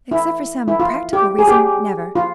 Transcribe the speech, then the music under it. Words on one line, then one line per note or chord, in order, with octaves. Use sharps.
"Except for some practical reason--never."
E4
E4
F4
G4
G#4
G4
F4